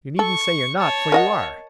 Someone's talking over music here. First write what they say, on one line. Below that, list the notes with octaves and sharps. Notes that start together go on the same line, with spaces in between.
You needn't say you're not, for you are!
A4 C#6
C#5 A5
A#4 D#5 F#5